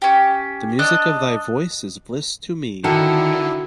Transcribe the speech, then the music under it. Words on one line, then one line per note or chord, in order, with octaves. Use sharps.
The music of thy voice is bliss to me.
C#4 G4
D4 D5 D#5 F#6
D3 D#3 E4 F#4 A4